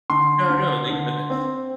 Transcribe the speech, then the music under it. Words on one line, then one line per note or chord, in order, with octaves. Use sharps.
No, no, thank goodness.
D3 C6
D3
D3
C4